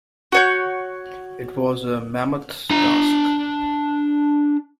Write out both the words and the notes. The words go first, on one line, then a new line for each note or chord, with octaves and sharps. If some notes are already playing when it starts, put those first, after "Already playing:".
It was a mammoth task.
F#4 C#5 G6
D4 A#5